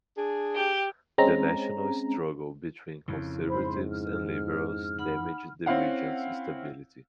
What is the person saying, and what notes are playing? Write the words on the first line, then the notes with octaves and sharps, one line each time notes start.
The national struggle between conservatives and liberals damaged the region's stability.
D4 G#4
G4
G#3 C4 C#4 A#5
F2 C#3 E4
G#2 C5 B5
F6
D#4 F#5 B5
C4 C#4 E4 F5 F#5